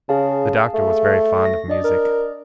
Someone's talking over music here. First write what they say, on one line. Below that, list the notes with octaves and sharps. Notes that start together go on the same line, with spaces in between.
The Doctor was very fond of music.
C#3 G#4 F5 A5
A3
A#6
D4 D5 D#5
A#4